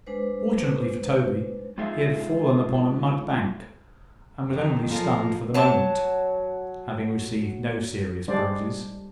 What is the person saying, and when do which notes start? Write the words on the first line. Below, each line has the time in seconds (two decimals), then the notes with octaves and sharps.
Fortunately for Toby, he had fallen upon a mud-bank, and was only stunned for the moment, having received no serious bruises.
0.07 G#3 D4 B4 C5
1.78 G#3 D#4 F4 G#4 E5
4.50 F2 D#3
4.90 F3 G#3 F4 A4 A#4
5.54 F#3 A5
8.28 G3 G#3 D4 C5 D5